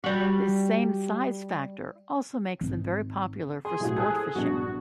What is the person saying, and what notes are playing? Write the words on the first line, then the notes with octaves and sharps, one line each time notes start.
This same size factor also makes them very popular for sport fishing.
G3 F#4
G#1 D#4
G#4 C6
B1 A2 A3 E4 F#4
A4 C5 D#6 F#6 G#6
A#1 E2 G2 D4 F#4